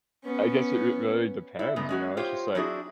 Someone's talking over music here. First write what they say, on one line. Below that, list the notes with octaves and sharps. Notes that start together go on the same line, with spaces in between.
I guess it r really depends, you know? It's just like,
B3 C#4
E4
A#2 C#3 G#3 A3 B3
G#3 C#4 F#4
F4 G4 C5 C#5
F#3 C4 D4 E4 F#4 G#4